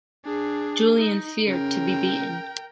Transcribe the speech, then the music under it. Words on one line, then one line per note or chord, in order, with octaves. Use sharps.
Julien feared to be beaten.
D4 G#4
D#4
C#3 A#4 G5